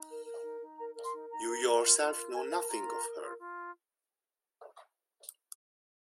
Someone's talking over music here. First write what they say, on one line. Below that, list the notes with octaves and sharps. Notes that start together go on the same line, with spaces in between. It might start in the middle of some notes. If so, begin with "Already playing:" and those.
You yourself know nothing of her.
Already playing: D#4
A#4
A#4
D#4
D#4
A#4 A#5
A#4
C6
D#4
D#4 A#5
A#4
A#4
F4
F4
A#4
A#4 G#5
F4 F5
F4 A#5
A#4
A#4
F4
F4